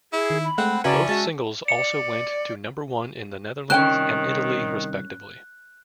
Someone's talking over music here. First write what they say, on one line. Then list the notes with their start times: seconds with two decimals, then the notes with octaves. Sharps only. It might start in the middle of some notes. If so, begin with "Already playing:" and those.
Both singles also went to number one in the Netherlands and Italy, respectively.
0.13 E4 G#4
0.30 D#3
0.45 B5
0.58 G#3 A3 C4 F#5
0.84 C#3 C#4 E4 F#4 B4 D5 A5 A#5
1.09 G#3 F#4 E5 A5
1.68 D5 C#7
3.70 C2 D#3 A#3 C#4 C5 G5 F#6